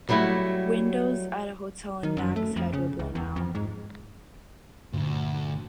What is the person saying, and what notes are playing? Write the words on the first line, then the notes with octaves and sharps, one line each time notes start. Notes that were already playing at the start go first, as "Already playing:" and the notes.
Windows at a hotel in Nags Head were blown out.
F#3 G3 A3 E4 F#4
D#3
F#2
A3
F2
C#3
C#2
E2
F2
G#2
D2 G2 A#2 D3